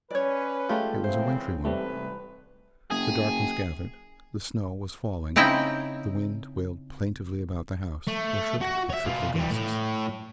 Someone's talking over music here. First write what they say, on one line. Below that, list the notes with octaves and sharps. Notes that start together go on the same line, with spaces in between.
It was a wintry one. The darkness gathered, the snow was falling, the wind wailed plaintively about the house or shook it with fitful gusts.
C#4 B4 C#5 D5
G#3 A3 F4 G4
C#3 E3 C4 C5
A1 G#2 C3 G3 A3 B4
F#1 G#4
C#3 C4 D#4 E4 G5
A3
F#4
C#5 E5
B2 F4
E3 G3
A2